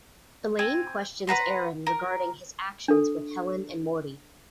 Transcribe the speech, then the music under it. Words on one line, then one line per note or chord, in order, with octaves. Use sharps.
Elaine questions Aaron regarding his actions with Helen and Morty.
C4 G#5
B4 F#5 A#5 C6
A#4
D4 A4